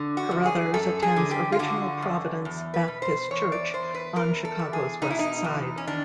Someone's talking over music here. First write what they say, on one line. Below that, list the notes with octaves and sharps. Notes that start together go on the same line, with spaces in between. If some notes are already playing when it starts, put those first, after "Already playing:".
Carothers attends Original Providence Baptist Church on Chicago's west side.
Already playing: D3
F#4
F#2
G#4
F#2 A4
G#4
D3
G4
F4
D3 F#4
F#2
E2
B4
B2
C5
E2 C#5
D5
E2 C5
B4
E2 A#4
A4
E2
G#4
B2 D#4
E4
D#4
E2
C#4
D#3 D4